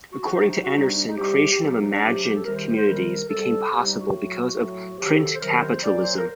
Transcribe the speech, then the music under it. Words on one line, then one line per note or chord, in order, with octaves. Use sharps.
According to Anderson, creation of imagined communities became possible because of "print capitalism".
F#4
F#4
C3 F#3 D#4
D4
D#4
F#4
C3 G3 D#4
D4
D4
D#4
C3 G3 G4
G4
C3 F#3 A4
G4
D#4
D4
C3 F#3 G4
G4
A4
C3 D#3 G3 A#4
C5
C5
C5
C3 D#3 G3 A#4
C3 G3 A4
C3 G3 G4
D#4
F#4
A2 F#3
A2 F#3
C3 D#3 F#3 G4
A4
C5
C3 D#3 F#3 A#4
C5
A#2 F#3 D5
C5
A#4